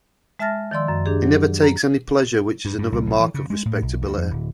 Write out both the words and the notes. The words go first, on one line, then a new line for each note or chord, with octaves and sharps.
He never takes any pleasure, which is another mark of respectability.
G#3 E5 A5 F6 A6 A#6
D#3 F3 D5 C6 E6
F#2
D4 G4 G#4
F#3
A#5
G2
G2
C2
B1
E3
C#3
G#3
A2
B1
D2
F2
D1